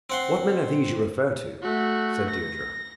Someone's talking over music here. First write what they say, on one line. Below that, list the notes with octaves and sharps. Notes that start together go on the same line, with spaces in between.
"What men are these you refer to?" said Deirdre.
C4 F#5 C6
A3 F#4
A#6